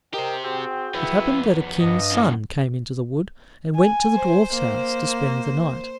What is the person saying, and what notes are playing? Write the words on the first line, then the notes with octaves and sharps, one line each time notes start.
It happened that a King's son came into the wood, and went to the dwarfs' house to spend the night.
G4 A#4 C5 D#5 G5
C4 F#4 G#4 G5
F2 B3 E4
G2 D#5
F#2 A2
G#5
C5
A#3